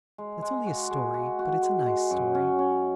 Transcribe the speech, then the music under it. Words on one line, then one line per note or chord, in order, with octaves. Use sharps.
It's only a story, but it's a nice story.
G#3
G#3
F#4
G#3
F#4
F#4
G#3
G#3
F#2
C#4
C#4